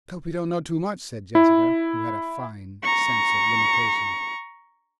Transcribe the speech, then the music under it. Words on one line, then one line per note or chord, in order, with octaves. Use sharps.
"Let's hope he don't know too much," said Jessica, who had a fine sense of limitations.
E4
A#5 C#6